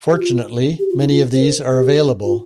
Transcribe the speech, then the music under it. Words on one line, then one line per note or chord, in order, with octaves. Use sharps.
Fortunately, many of these are available.
G4
F4
G4
F4
D#4
F4
C5
A#4
G4
F4